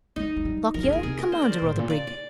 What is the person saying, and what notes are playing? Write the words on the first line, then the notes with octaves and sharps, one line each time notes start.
Lockyer, commander of the brig.
G#3 D#4
G#3
G3
F3 A#4
D#3 G#4
D3 A#4
C3 G#4
A#4
C5
D5
C5
A#2
G#2
A#2
D5
D5